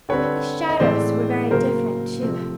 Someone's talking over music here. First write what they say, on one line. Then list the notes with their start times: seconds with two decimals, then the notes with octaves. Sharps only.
The shadows were very different too.
0.09 D3 G3 C4 B4 C#5
0.69 D#5
0.80 A2 E3 G#3 C4 C5 D5
1.51 C#3 F#3 A#3 A#4 C5
2.22 C3 F3 A3 C4